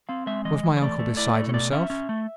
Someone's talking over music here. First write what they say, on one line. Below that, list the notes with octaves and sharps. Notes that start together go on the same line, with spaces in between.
Was my uncle beside himself?
C4 F5
G#3 E5
E3 D#5
E3
C#5
A3 D5
A3
E4 D5
A3
C#5
B2 D5
C#4 E5
C#4
A3